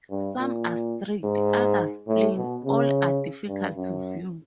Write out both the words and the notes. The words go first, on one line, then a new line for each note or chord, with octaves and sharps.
Some are streaked, others plain, all are difficult to view.
G2
A#2
G#2
A2
B2
C#3
G2
F#2